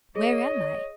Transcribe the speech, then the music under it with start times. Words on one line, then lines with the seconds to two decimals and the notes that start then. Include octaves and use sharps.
"Where am I?"
0.16 G#4 C#5 D#5